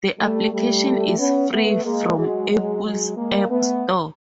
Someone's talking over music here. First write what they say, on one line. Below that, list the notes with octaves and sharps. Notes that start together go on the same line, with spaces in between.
The application is free from Apple's App store.
G3 A3
G3 A3
B3 C#4
A3 B3
G#3 A#3
F#3 G#3
F#3 G#3
F#3 G#3
G#3 A#3
A3 B3